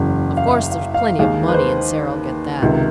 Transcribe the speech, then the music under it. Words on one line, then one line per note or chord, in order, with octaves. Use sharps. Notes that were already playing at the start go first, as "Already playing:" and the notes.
Of course, there's plenty of money and Sara'll get that.
Already playing: F#1 E2 C#3 F#3
F5
E5
F5
F5
D#2 D#3 G#3 F5
B4
C5
C#2 C3 D#3